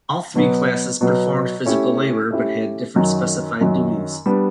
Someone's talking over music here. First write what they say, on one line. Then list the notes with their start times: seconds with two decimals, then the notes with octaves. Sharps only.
All three classes performed physical labor, but had different specified duties.
0.35 B2 F#3 B3
1.01 B2 F#3 B3
1.66 A3 C#4 E4 G4
2.31 A3 C#4 E4 G4
2.96 F#2 D#3 F#3
3.61 F#2 D#3 F#3
4.26 G3 B3 D4